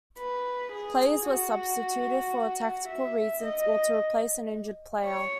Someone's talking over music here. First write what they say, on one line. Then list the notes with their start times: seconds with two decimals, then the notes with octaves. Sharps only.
Players were substituted for tactical reasons or to replace an injured player.
0.18 B4
0.72 G#4
1.26 F#4
2.88 E5
3.42 D#5
5.04 C#5